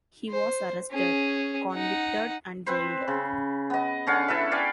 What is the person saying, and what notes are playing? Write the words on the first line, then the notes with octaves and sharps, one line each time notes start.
He was arrested, convicted, and jailed.
C5
C#4 G#4
D#4 F#5
C4 B4 C5
C#3
B3 D#5
D3 C#4 F5 F#5
E4 A4 B4 E5
D5 F5 G5 G#5